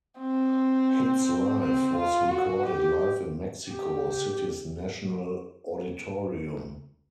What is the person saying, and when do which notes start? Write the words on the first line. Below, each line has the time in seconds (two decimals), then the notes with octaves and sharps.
HitsLive was recorded live in Mexico City's National Auditorium.
0.20 C4
1.60 C4
1.96 F4
2.30 F#4
2.65 G4
3.70 G4